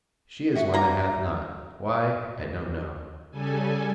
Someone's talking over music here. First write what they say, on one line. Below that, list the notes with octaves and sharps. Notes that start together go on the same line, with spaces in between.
She is one that hath not; why, I don't know.
F#4 E5 F#5
A#3 A#5
C#3 G3 A4 G#5